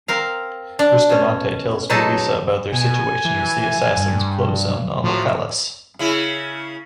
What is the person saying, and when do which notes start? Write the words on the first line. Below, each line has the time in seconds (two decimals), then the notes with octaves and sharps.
Bustamante tells Luisa about their situation as the assassins close in on the palace.
0.08 C4 A#4 F5
0.79 D4
1.10 B2 C#4
1.89 B2 F#3 G#3 D#4 A4 A5
2.73 B2 G#5
3.25 E3
3.98 G2
5.04 A2 F3 F#3
5.99 C#3 E4